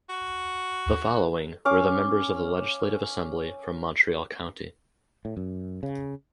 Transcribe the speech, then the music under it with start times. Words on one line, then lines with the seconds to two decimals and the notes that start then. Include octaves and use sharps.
The following were the members of the Legislative Assembly from Montreal County.
0.10 F#4
1.65 C#4 F5 D6
5.25 A2
5.37 F#2
5.83 C#3